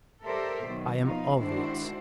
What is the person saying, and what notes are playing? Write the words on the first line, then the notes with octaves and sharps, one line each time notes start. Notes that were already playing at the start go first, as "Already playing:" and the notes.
I am of it.
G4 A4 A#4 C5 D5 E5
B2 D#3 F#3
F3 B3 D#4 F4 F5
D#3 G#3 D4 E4 F#4 C5